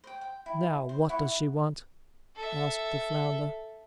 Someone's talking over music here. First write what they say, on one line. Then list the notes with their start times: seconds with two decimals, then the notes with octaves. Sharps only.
"Now, what does she want?" asked the flounder.
0.04 C5 G5
0.21 G5
0.46 E4
0.89 C5
1.09 E4 F#5 C#6
2.36 A4 E5